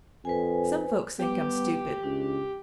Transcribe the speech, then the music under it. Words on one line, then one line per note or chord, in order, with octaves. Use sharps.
Some folks think I'm stupid.
F2 B4 C5 G#5
G3 B3 G4 D6
C#2 D4